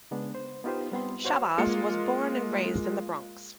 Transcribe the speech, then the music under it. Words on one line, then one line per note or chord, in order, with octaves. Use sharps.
Shabazz was born and raised in The Bronx.
C#3 G#3 B3 D4
C5
B3 D#4 F4 G4 B4 C5
G3 B3 C4 C6
F#4 C5 C#5 F5 F#5
G#3 A#3 F4 C#7